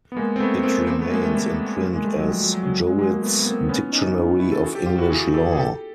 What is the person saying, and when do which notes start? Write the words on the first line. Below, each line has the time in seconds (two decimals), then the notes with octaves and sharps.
It remains in print as "Jowitt's Dictionary of English Law".
0.12 B3
0.17 G#3 A#3
0.36 C4
0.40 A3 B3
0.63 A#3 C4
0.87 A#3 C4
0.99 A3 B3
1.10 G#3 A#3
1.22 G3 A3
1.34 G3 A3
1.81 G3 A3
1.92 G#3 A#3
2.04 G3 A3
2.16 F#3 G#3
2.28 F3 G3
2.40 F#3
2.52 F#3
2.63 F#3
2.87 F#3 G#3
2.99 F#3 G#3
3.10 G#3 A#3
3.22 A3 B3
3.39 B3
3.45 A#3 C4
3.69 B3 C#4
3.93 C#4 D#4
4.40 E4 F#4
4.52 A4
4.63 F#4 G#4
4.75 G4 A4
4.86 F4 G4
4.98 E4 F#4
5.10 F#4 G#4
5.34 G4 A4
5.52 G#4
5.57 G4 A4